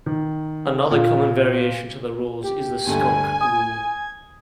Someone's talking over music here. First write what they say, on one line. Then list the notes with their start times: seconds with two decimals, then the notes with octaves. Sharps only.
Another common variation to the rules is the "skunk" rule.
0.06 D#3
0.91 A#2
2.43 G4
2.87 D2 G2 A3 G#5
3.41 D#6 G#6